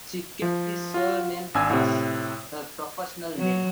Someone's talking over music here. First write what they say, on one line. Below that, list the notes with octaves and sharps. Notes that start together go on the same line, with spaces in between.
She kept his surname as her professional name.
F3
F4 F#4
G#1 D4 G#5 E6 G#6
A2 C3
F#3